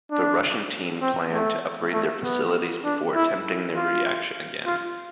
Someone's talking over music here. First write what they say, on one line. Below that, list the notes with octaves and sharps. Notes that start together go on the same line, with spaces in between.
The Russian team planned to upgrade their facilities before attempting the reaction again.
D4
C4
A3
A3
B3
D4
E4
F4
F4